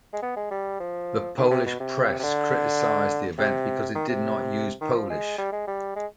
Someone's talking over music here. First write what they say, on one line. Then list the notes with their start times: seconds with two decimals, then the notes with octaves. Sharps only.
The Polish press criticized the event because it did not use Polish.
0.14 G#3
0.22 B3
0.37 G#3
0.51 G3
0.80 F3
1.37 D#3
1.51 C3
1.66 B2
1.80 C3
2.19 C3
2.23 D3
3.38 C3
3.95 D#3
4.09 C3
4.81 D#3
4.95 F3
5.10 G#3
5.38 G3
5.52 G#3
5.67 G3
5.96 G#3